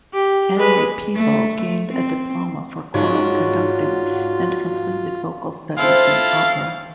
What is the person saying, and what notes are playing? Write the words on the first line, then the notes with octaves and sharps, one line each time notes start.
Annely Peebo gained a diploma for choral conducting and completed vocal studies in opera.
G4
G#3 B4
A3
C4
G#2 C#4 D4 F4 F#4 C#5
C4 E4 F4 A4 F5